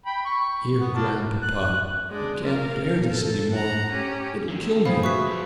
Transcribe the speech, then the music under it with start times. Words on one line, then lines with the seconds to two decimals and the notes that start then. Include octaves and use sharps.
Dear Grandpapa, I can't bear this any more, it'll kill me...
0.06 G5 B5
0.25 C#6
0.80 B3
0.95 A#3 D4
1.42 F#6
2.10 G#3 D4
2.43 A#4 F5
3.08 A4
3.52 F#5 A#5
3.91 C#4 G4
4.49 D3 D#3
4.85 D#3 B3 F4 G#4 C5 F5
5.03 F#4 E5 C#6 F#6 B6
5.27 F3 A3